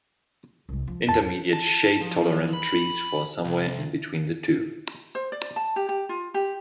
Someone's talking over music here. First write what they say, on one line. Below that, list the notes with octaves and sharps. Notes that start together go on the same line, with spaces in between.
Intermediate shade-tolerant trees fall somewhere in between the two.
C2 G#3
F3
E2 A5
A5
F3
B5
C2
C5
D5
A5
G4
G4
F4
G4